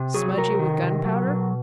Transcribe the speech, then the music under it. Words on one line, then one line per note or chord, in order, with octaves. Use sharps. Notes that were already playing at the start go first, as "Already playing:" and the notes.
Smudgy with gunpowder?
Already playing: C3
F#3 G#4
C3 A#4
D#3
C3
F#3
B2